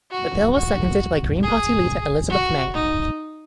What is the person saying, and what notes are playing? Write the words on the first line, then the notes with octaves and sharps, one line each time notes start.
The bill was seconded by Green Party leader Elizabeth May.
F#4
F#4
G#4
F#4
D#4